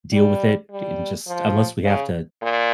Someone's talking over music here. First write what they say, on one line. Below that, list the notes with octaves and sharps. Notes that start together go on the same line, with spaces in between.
deal with it and just unless we have to,
G3
G3
F3
C#3
A#2